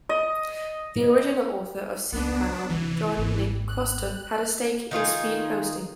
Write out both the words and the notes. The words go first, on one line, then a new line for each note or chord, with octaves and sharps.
The original author of cPanel, John Nick Koston, had a stake in Speed Hosting.
D#5
C#2 B3 D4 D#4
D2 C3 E3
G#1 D#2
F#6
D#3 D#4 F4 G#4